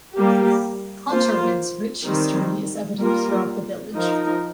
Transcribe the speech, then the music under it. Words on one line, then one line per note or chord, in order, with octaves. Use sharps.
Ponterwyd's rich history is evident throughout the village.
G3 A#3 G4
A#3 F4 C5
D#3 G3 C4
G3 A#3 F4 A#4
F3 D#4 A#4